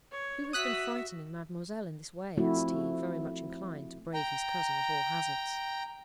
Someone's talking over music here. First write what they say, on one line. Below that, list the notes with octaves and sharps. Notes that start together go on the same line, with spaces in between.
'Who has been frightening mademoiselle in this way?' asked he, very much inclined to brave his cousin at all hazards.
C#5
F#4 E5 D#6 F#6 B6
F3 A3 C4 E4 F#4
G5 A#5